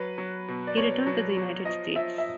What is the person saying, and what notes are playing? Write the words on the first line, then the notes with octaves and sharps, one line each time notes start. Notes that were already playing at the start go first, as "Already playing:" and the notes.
He returned to the United States.
Already playing: F#3 B4
F#3
B2
D5
B2 C#5
F#3
F#3
F3 D#5
F3 E5
E5